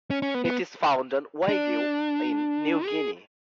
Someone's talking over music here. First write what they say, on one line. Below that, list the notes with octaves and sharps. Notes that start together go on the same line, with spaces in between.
It is found on Waigeo in New Guinea.
C#4
C#4
B3
B3
D4
G#4